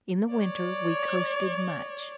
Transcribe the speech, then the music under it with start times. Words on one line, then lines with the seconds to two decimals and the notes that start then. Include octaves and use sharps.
In the winter we coasted much.
0.32 C#5 D5